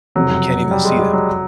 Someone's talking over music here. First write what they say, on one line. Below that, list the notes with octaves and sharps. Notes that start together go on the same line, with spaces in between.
that you can't even see them.
F#1 F2 C3 F#3
G3
G#3
G3
F#3